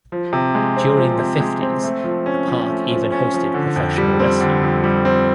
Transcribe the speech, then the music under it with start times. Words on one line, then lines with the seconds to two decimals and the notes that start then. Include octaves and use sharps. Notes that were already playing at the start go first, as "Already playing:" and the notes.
During the fifties the park even hosted professional wrestling.
0.12 F3
0.33 C3
0.55 G#3
0.77 C4
0.97 F3
1.19 C3
1.40 G#3
1.62 C4
1.84 A3
2.04 F3
2.26 C#4
2.47 F3
2.69 A3
2.91 F3
3.12 C#4
3.34 F3
3.54 D3
3.76 F2
3.98 G3
4.19 C4
4.41 D3
4.62 F2
4.84 G3
5.05 C4